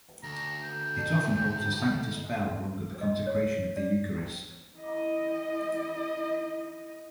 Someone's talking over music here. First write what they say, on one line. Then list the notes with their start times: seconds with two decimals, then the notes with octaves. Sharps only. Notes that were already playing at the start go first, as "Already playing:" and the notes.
It often holds the Sanctus bell rung at the consecration of the eucharist.
0.23 D2 A#5
0.63 G5
3.01 D#5
3.27 C#5
3.76 D5
4.78 E4 D#5